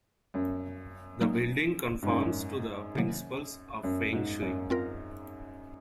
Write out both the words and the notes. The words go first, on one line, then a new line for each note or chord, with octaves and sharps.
The building conforms to the principles of feng shui.
F#2
F#3 A#3 D#4
G#2
F#2
C3 D#3 F#3 A#3
F#2
G#2
F#2
C4 F4 A#4